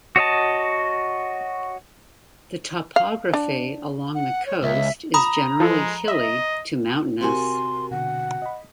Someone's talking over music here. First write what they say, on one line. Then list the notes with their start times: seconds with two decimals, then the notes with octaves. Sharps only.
The topography along the coast is generally hilly to mountainous.
0.16 F#4 C#5 D#5 A5
2.96 F5
3.34 D4
4.15 F#5
4.46 C#5
4.63 C#2 E5
5.14 A#5 B5 D#6
5.60 F3 G#3 A4
6.08 D#5 E5
7.21 C3 C4 F#4 G4 A#4 G#5 C6
7.91 B2 D3 F#5
8.42 D#5 B5